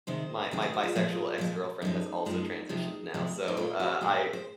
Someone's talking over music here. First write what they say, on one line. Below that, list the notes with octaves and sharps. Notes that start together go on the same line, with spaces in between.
my my bisexual ex-girlfriend has also transitioned now. So, uh, I
C3 D#3 G#3 C5
C3 D#3 G#3
G#4
F#4
F4
A#2 F3 G#3
A#2 F3 G#3
F#2 F3 G#3 D#4
F#2 F3 G#3
C3 F3 G#3
C3 F3 G#3
D#4
A#2 G#3 F4
F#4
A#2 G#3 G#4
C5